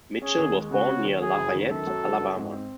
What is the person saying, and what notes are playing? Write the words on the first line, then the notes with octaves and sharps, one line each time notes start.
Mitchell was born near Lafayette, Alabama.
C#4 G#4
D#2
G#3
C#3 F#4
C#4
D#2
F#3 G#4
F#1
D#3
F#2 A4
F#3
F#1
F#4
G#2
C4